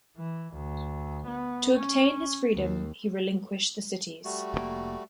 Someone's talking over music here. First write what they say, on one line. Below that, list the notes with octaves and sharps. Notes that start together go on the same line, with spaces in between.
To obtain his freedom, he relinquished the cities.
E3
D2
B3
C#4
D#2
G3 A3 F#4
F1 C3 A#3